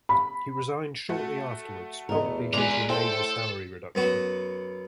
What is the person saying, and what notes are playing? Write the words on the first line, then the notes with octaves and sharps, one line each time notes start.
He resigned shortly afterwards probably due to a major salary reduction.
B5
A3 F#4
E2 A#4 D#5
G#3 G#4 B4 D5 A#5
A2 A4 C5 G5
F#2 B3 F#4